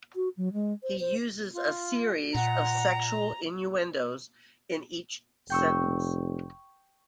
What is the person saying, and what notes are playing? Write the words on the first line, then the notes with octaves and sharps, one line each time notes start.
He uses a series of sexual innuendos in each sentence.
F#4
F#3
G#3
C5
C5
F4
A#2 F#5 A#5
F1 G5 C#6 E6